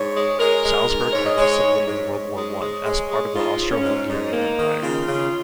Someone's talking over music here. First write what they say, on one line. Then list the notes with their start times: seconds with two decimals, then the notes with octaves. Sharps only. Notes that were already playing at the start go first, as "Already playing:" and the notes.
Salzburg participated in World War One, as part of the Austro-Hungarian Empire.
Already playing: G#2 C#5
0.15 G#3
0.39 G#3 A#4
0.65 G#3
0.88 G#2
1.13 G#2 C#5
1.26 D#5
1.37 G#3 C#5
1.62 G#2
1.86 G#2 C#5
2.11 G#2
2.36 G#3
2.60 G#3 C#5
2.85 G#3
3.10 G#3
3.34 G#2 F4
3.59 G#2
3.71 C#4
3.83 G#2
4.08 G#2 D#4
4.33 A#3
4.57 D#3
4.82 C#3 F4
5.06 C#3